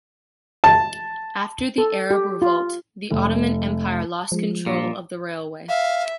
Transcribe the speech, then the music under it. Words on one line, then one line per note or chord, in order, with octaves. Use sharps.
After the Arab Revolt, the Ottoman Empire lost control of the railway.
A5
A4
G4
F4
F1
F3 G#3
G2 A#2
E5 F5